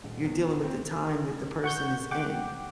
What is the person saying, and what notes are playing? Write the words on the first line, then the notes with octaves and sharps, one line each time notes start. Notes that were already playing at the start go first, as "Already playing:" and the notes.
you're dealing with the time that the person is in,
D#1
E2
C4
F#5 C#6 G6
F#5 G5 D6